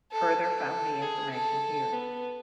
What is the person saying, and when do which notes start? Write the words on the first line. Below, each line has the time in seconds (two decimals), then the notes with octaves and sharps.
Further family information here.
0.12 A4
0.41 A4
1.02 G#4
1.32 A4
1.93 B3